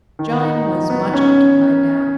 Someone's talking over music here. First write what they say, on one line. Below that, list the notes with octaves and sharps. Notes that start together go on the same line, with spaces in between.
John was much occupied now.
D#3
D#4
D#4
B3
C#4